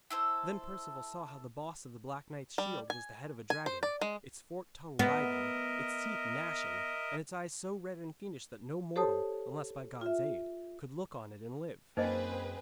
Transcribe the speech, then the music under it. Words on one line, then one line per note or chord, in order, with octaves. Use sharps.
Then Perceval saw how the boss of the Black Knight's shield was the head of a dragon, its forked tongue writhing, its teeth gnashing, and its eyes so red and fiendish that no mortal, unless by God's aid, could look on it and live.
E4 A4 C5
G3
G#5
G#5
C5
D5
G#3
B3 A#4 D#5 E5
G4 A4 C5 C#5 A5 D#6
F4 E5
F#2 A#3 C4 D#4 G#4 B4 C5 D#5